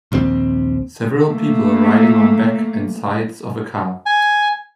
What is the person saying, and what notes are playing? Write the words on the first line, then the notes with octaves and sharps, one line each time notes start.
Several people are riding on back and sides of a car.
A#1 D#2 E3 C4
A3 A#3
G#5